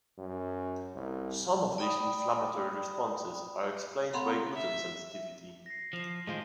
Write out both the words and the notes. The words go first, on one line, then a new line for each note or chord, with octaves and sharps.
Some of these inflammatory responses are explained by gluten sensitivity.
F#2
C2
D5 G5 B5 D#6
C4 A4 F5 F#5 A#5 B5
E5
A#6 C7
F3
A2 D#3 G#3 F4 C5